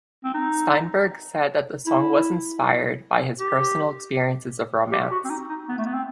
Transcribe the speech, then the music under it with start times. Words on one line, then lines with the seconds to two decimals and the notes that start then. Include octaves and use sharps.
Steinberg said that the song was inspired by his personal experiences of romance.
0.24 C4
0.34 D#4
1.87 E4
3.39 G4
4.92 G4
5.11 F#4
5.25 C4
5.30 D#4
5.49 D#4
5.69 B3
5.78 A3
5.86 B3
5.94 C4